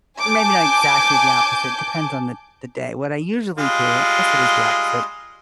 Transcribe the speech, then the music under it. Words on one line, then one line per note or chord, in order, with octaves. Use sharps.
maybe not exactly the opposite, depends on the the day. What I usually do- I guess it is the opposite-
G#5 A5 D6 G6
G3 G#3 F4